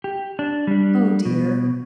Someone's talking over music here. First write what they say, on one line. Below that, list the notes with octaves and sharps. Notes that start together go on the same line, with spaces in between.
"Oh, dear!"
G4
D4
G3 D4
B2